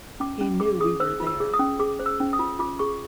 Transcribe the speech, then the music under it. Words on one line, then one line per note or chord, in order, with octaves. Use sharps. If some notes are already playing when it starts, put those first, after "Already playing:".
He knew we were there.
C#4 D6
C#4
G#4 D6
G#4 D#6
C5 E6
F4
E6
G#4
D#6
C#4
G#4 D6
C5
E6
C#4
D#6
F4
F4 D6
G#4 C#6